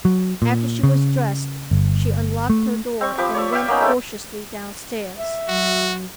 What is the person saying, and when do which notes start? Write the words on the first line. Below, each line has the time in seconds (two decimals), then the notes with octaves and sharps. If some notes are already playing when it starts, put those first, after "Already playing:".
After she was dressed she unlocked her door and went cautiously downstairs.
0.05 F#3
0.42 A#2
0.84 C#3
1.71 G1
2.50 A3
3.01 C4 C#6
3.18 F3 G4 B4 D6
3.34 C#5 D5 C#6 E6
3.52 E5 F5 G5
3.68 A#3 B3 C#4 D#4
3.81 G#3 A3 A4
5.17 E5
5.48 F#3 F#4